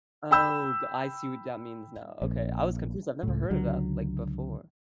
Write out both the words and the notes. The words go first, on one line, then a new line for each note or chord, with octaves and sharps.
Oh, go I see what that means now, okay, I was confused, I've never heard of that, like, before.
G5 B5 E6 G6
A#1
C#2 A2
C#2 D3 F#3